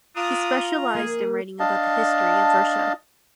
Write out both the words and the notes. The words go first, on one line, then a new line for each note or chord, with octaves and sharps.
He specialized in writing about the history of Russia.
D4 F4 A#5 D#6
A#3 G#4
D4 D#5 F5 A5